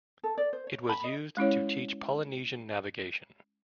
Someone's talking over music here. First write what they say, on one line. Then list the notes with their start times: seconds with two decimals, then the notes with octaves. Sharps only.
It was used to teach polynesian navigation.
0.24 A4
0.38 D5
0.53 C5
0.67 C#5
0.89 B5
1.04 D#5
1.37 G#3 C#4 E4 C#5